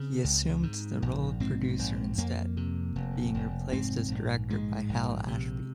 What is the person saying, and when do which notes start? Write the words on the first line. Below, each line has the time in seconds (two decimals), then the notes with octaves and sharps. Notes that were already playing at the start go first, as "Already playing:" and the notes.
He assumed the role of producer instead, being replaced as director by Hal Ashby.
Already playing: C#3 C4
0.24 C#2
0.63 G#2
1.02 A#1
1.40 G#2 C4
1.79 A#1
2.18 F2 A#3
2.57 C3
2.96 F1
3.35 F1
3.73 G#2 C4
4.11 A#1
4.50 G#2 G#3
4.89 A#1
5.28 C3